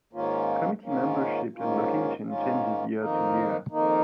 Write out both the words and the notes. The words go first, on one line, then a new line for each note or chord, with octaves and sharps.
Committee membership and location changes year-to-year.
G#2 D#3 A#3 C#4 F4
G#2 D#3 A#3 C#4 F4
G#2 D#3 A#3 C#4 F4
G#2 D#3 A#3 C#4 F4
F2 D#3 A#3 D#4
F2 D#3 A#3 D#4